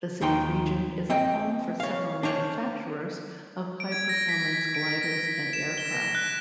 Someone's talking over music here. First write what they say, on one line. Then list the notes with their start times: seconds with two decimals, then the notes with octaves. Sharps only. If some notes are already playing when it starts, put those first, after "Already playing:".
The city region is a home for several manufacturers of high-performance gliders and aircraft.
0.21 D#2 D#4 G5 C6
1.10 C4 D#5 G5
1.80 C#5 F5
2.23 D4 C5 C#5
3.80 D7
3.92 G#6
4.09 A#6
4.29 B6
4.53 B6
4.75 D7
5.03 A#6
5.27 B6
5.53 E7
5.78 G7
5.92 A#6
6.15 F#6